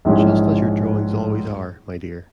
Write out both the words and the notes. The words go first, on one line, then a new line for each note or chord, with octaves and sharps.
Just as your drawings always are, my dear.
A#1 G#2 E3 G#3 C#4